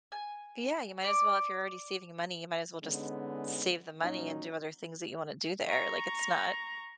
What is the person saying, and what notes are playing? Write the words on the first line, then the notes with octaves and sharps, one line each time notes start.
Yeah, you might as well if you're already saving your money, you might as well just save the money and do other things that you wanna do there, like, it's not
G#5
D5
D3 G#3 B3 C#4 D#4
A#2 F#3 C#4 D#4
A#5 C#6